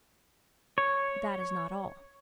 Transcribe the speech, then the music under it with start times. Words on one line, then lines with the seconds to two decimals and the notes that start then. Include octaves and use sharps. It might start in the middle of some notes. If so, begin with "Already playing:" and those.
But that is not all.
0.78 C#5